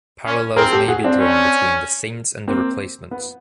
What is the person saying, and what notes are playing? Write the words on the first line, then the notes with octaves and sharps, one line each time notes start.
Parallels may be drawn between The Saints and The Replacements.
C#4
C4 G#4 A#4
G4 A4
F#4 G#4
C4 D4
C#4
A#3 C4
B3